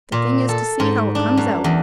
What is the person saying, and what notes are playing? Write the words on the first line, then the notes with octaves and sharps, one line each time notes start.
The thing is to see how it comes out.
A#2
A4
G#2
D4
F#2
E2